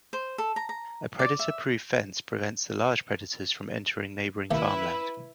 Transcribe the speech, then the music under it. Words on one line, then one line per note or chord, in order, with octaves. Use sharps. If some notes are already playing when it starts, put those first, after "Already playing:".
A predator-proof fence prevents the large predators from entering neighboring farmland.
C5
A4
A#5
A#5
D5
E5
D#2 A3 A#3 E4 B4